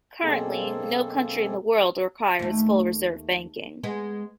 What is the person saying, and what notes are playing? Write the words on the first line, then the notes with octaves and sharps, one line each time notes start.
Currently, no country in the world requires full-reserve banking.
F#2 B2 A#3 C4 G#4 A4
D#2 A3
G#3 B3